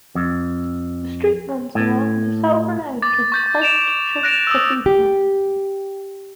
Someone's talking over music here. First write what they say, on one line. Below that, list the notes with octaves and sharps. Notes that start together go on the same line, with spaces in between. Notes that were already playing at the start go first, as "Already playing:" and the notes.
The street runs along the southern edge of Christ Church Cathedral.
F2
A2
D6 A6
C#6 G6 A6
D7 E7 F7
F#6 A#6 D7 E7 F7
D#6 E6
G4